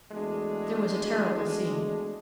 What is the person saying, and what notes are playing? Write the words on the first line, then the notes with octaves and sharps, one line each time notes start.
There was a terrible scene.
E2 G#3 A3 D4 F#4 G#4